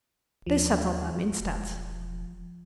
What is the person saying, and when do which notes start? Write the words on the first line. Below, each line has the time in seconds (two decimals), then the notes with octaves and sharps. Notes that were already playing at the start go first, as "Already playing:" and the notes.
They sat on them, instead.
0.46 D#2 F3
1.40 E1